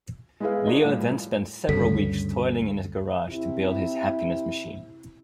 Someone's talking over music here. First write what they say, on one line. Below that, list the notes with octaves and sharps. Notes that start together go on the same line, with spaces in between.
Leo then spends several weeks toiling in his garage to build his Happiness Machine.
G#3 B3 E4 G#4 B4 F5
D4 D#4 F4 G#4 A#4 D#5
A2 F3 G3
D2 G2 C#3 A4 B6
C3 E4